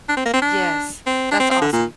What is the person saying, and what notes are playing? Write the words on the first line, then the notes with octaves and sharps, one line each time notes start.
Yes, that's awesome.
D4
C4
A#3
C4
D4
C4
D4
C4
C4
D3
A#2